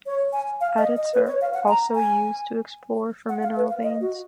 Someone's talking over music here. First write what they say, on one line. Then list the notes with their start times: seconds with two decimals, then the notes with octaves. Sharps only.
Adits are also used to explore for mineral veins.
0.06 C#5
0.33 G#5
0.61 F5
0.78 D#5
0.96 D#5
1.13 B4
1.27 C#5
1.41 F5
1.54 F#5
1.68 A#5
1.95 G#5
3.29 F#5
3.43 F5
3.56 B4
3.69 F5
3.83 D#5
4.01 F#4